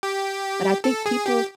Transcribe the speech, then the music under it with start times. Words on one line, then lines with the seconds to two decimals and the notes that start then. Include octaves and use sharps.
But I think people
0.03 G4
0.84 A4
1.06 G#4
1.26 G4